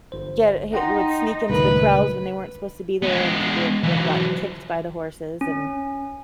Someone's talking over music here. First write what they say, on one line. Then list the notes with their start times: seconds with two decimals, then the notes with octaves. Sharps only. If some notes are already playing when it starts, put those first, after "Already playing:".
get who would sneak into the crawls when they weren't supposed to be there, and people have were gotten kicked by the horses, and
0.12 G1 C5
0.73 D#4 F#5 G5 C6
1.50 C#2 G2 A#2 D#3 A3 A#4 B4
3.03 G#3 B3
3.83 E3 F#3
5.41 C#4